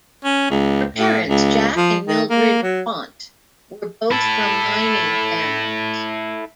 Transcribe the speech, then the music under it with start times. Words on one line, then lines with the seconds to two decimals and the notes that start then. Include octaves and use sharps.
Her parents, Jack and Mildred Quant, were both from mining families.
0.24 C#4
0.50 C#2
0.96 A2
1.29 C#2
1.77 F3
2.07 D#3
2.30 A#3
2.63 F#3
4.11 E4 A4